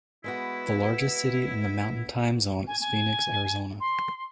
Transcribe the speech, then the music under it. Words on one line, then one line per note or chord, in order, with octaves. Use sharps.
The largest city in the Mountain Time Zone is Phoenix, Arizona.
G#3 B3 E4 F#4
G#5
G#5
C6